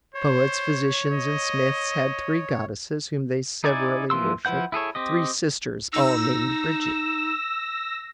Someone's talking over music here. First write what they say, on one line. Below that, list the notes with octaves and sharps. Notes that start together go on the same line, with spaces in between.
Poets, physicians, and smiths had three goddesses whom they severally worshipped, three sisters, all named Brigit.
C5 C#5
D#5
D#4 E4 D5 G#5
E3 F3 A#3 C6 E6
F3 E4 B4 F#5 G6
E4 G#4 A4 C#5
C4 G4 D#5
D#4 E6 A#6